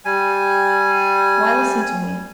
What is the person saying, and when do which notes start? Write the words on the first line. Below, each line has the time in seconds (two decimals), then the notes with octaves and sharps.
Why listen to me?
0.05 G3 G#5